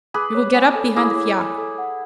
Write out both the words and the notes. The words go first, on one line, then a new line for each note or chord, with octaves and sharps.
You will get up behind the fiacre.
G#4 B4 D6
C#5
G#5
A4
E4 G#4 D6
C#5
G#5
A4
F#5